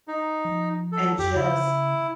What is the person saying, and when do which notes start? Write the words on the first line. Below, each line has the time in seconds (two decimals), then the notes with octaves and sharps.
and just
0.08 D#4
0.45 F3
0.92 A4
1.19 F2 G4
1.35 C#3 E4